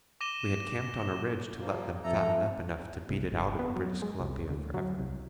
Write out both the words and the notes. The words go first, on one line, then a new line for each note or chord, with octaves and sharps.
We had camped on a ridge to let them fatten up enough to beat it out of British Columbia for ever.
D6 A#6 D#7 E7 G7
F3 G3 A#3
F2 A4 E5 A#5
C2
G1
B3
F#3
G#3
C2
D2
F#3
C2